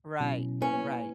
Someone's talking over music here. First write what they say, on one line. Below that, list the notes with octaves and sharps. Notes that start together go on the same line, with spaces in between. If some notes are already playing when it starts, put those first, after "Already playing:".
Right, right.
B2 F#3 C#4 E4
A#3 C#4 E4 B4